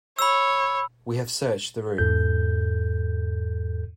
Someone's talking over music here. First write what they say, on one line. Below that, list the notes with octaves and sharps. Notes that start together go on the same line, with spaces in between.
We have searched the room.
C#5 B5 E6
E2 G#2 A4 G6